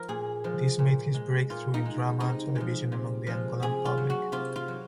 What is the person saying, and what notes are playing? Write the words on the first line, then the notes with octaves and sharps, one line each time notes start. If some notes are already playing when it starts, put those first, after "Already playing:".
This made his breakthrough in drama and television among the Angolan public.
Already playing: F3 A#4
A#2 G#4
F3 G#3
A#2
G#3
A#2 F4
D#4
G#3
C3 D#4
F3 G#3
C3
F3 G#3
C3 G#4
F4
F#3
F#4
C3 F4
F4
F#3